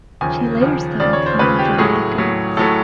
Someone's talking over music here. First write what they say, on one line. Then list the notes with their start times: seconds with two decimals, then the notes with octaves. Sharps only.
She later studied fine and dramatic arts.
0.21 D#2 C#3 F3 G#5
0.61 D#2 C#3 F3
1.00 D#2 C#3 F3 D5
1.13 C#5
1.26 C5
1.39 D#2 C#3 F3 B4
1.59 G4
1.78 A2 F#3 A3 G#4
2.18 A2 F#3 A3
2.57 A2 F#3 A3 A4